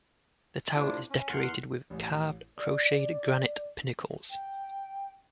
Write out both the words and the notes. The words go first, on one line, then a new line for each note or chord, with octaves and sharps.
The tower is decorated with carved crotcheted granite pinnacles.
A2 C3 D4 F4
C#4
E2 F#5 C6 F6
A1
D5
G5